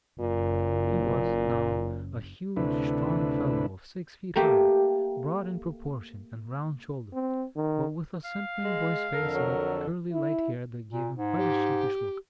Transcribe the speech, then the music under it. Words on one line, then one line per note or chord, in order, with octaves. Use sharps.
He was, now, a huge, strong fellow of six feet high, broad in proportion, and round-shouldered; but with a simpering boy's face and curly light hair that gave him quite a sheepish look.
F#1 A#2
D2 C3 A3 D4 E4 B4
A3 A#3 G4
C4
D#3
F5
G#3
F2 D3 A4 A#4
F#3
E4
A#2
G#2
G4